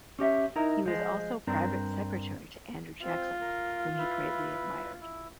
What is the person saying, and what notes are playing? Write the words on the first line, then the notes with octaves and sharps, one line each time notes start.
He was also private secretary to Andrew Jackson, whom he greatly admired.
C#4 G4 D#5 E5
D#4 E4 A#4
F3 G#3
G2 C4 D4 A#4
C4 F4
A#4
E4 B4
E4